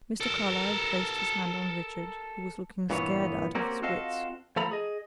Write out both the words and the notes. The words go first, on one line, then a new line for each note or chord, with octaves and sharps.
Mr. Carlyle placed his hand on Richard, who was looking scared out of his wits.
A4 A#4
G2 A#2 E3 B3 C#5
A#3 C4 C#4 F#4 G4 A#4
C4 F4 F#4 A4 D#5 F5
F3 A3 A4 A#5 B5
G#4 D#5